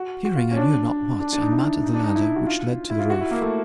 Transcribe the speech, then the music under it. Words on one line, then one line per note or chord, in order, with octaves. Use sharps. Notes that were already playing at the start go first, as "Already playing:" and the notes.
Fearing I knew not what, I mounted the ladder which led to the roof.
Already playing: F#4
F#4
F4
C#4
D4
D4
D4
D#4
E4
D#4
D4
D#4
E4
F#4
F4
E4
F4
F#4
E4
A#3
A3